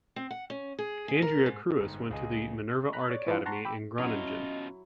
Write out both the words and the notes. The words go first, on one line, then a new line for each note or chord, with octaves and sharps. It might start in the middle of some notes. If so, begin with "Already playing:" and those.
Andrea Kruis went to the Minerva Art Academy in Groningen.
C4
F#5
C#4
G#4
G#4
A#4
G#2
G1 G#2
C#2 G#4 D#5
A#5 B5 F#6
C#5 D5 D6
E3 F3 B3 D4 F4
F#5 A5 A#5 C6 C#6
G5 B5 D6 E6
B2 F#3 C#4 E4 F4 D#5